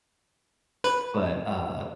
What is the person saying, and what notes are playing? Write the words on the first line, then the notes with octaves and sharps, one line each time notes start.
But, uh,
B4